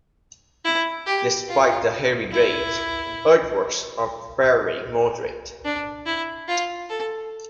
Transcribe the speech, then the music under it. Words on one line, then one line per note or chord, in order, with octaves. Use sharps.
Despite the heavy grades, earthworks are fairly moderate.
E4
G4
F4
E4
D4
E4
F4
A4